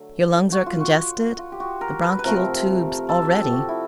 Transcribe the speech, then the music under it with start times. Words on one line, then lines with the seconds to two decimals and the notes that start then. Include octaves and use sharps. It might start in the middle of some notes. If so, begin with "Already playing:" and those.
Your lungs are congested, the bronchial tubes already.
Already playing: D3 F#3 A3
0.52 F#4
0.66 F4
0.80 F#4
1.39 F4
1.52 G4
1.60 F#4
1.81 A#4
2.02 B4
2.19 B4
2.24 C3 F3 A3 A#4
3.09 A4
3.31 G4
3.52 F#4
3.69 E4